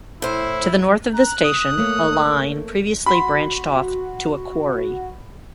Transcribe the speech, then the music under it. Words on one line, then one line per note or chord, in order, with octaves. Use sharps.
To the north of the station, a line previously branched off to a quarry.
A2 E4 C5
A#5 F#6
D#6
A3 A#3 C#5
F#4 B5 C6